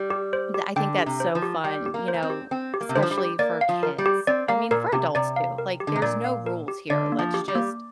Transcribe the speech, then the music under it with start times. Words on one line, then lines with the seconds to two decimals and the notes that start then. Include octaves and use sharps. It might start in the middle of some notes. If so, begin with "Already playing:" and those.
tha I think that's so fun, you know, especially for kids. I mean, for adults too. Like, there's no rules here. Let's just,
Already playing: G3
0.10 G4
0.33 C5
0.54 G4
0.76 D3 G5
0.98 G4
1.06 C3
1.20 C5
1.35 F3
1.42 G4
1.64 G3 G5
1.86 G4
1.94 A#3
2.08 C5
2.14 A#3
2.23 C4
2.30 G4
2.51 C4 G5
2.74 G4
2.81 A#3
2.89 C3
2.95 D3 C5
3.02 F3
3.11 G3
3.18 G4
3.39 A#3 D5
3.61 F5
3.69 F3
3.83 A#4
3.98 G3
4.06 G4
4.27 C4 D5
4.48 A#3 F5
4.71 A#2 A#4
4.92 C3 G4
5.15 C3 D5
5.36 F5
5.58 A#4
5.80 G4
5.87 D3
5.96 C3
6.02 A#2 D5
6.24 F5
6.46 A#4
6.68 G4
6.90 D3 D5
7.12 A#3
7.19 F3
7.34 G4
7.48 G3
7.55 A#3